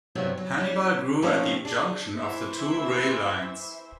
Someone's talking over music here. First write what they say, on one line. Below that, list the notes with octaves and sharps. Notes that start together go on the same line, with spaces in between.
Hannibal grew at the junction of the two rail lines.
G2 C3 F#3 B3 C4 E4
F#3
C#4 E4
F3 A3 A#3 C4 C#4 D#4
D4 G#4
E3 E4 C5 E5